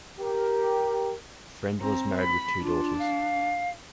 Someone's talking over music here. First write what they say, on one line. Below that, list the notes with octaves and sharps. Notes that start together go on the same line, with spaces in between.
Friend was married with two daughters.
G4 A#4
C4 A#5
B5
D4 F4
F5